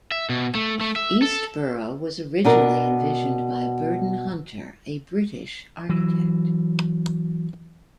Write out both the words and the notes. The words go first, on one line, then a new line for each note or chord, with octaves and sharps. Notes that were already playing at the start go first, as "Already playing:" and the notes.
Eastborough was originally envisioned by Burdon Hunter, a British architect.
E5
B2
A3
A3
E5
A4
B2 D4 A#4
E3 F#3